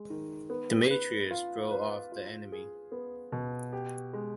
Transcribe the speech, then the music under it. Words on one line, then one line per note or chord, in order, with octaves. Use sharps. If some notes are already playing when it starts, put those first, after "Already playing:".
Demetrius drove off the enemy.
Already playing: G#3
D#3
B3
B4
F4
B4
F4
G#4
B3
B2
G4
G#3